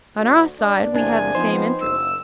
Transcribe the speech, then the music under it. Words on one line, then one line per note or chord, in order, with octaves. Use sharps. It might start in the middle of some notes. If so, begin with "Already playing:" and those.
On our side we have the same interest.
D2
C2 D4 D5
E2 C3 A#3 D4 G#5
F3 B3 C4 D#4 C5
F#1 E6